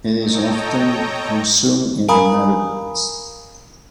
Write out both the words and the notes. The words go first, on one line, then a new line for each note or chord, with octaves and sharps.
It is often consumed in the Netherlands.
A4 C#5 D#5 G5 A#5
A#4 F5 G#5 A#5 B5 D#6